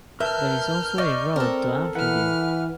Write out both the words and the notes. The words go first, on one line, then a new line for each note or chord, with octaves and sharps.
There is also a road to Amfreville.
A#4 B4 E5 A5 F6 G6
D#4 D5 C#6
C4 A4 A#4
E3 B4 F#5 F6